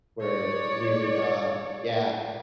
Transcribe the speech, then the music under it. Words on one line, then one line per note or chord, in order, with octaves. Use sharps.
where we would, uh yeah,
C#5 D5